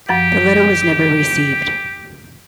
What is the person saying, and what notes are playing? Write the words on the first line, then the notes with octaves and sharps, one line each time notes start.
The letter was never received.
F#2 F3 G4 F#5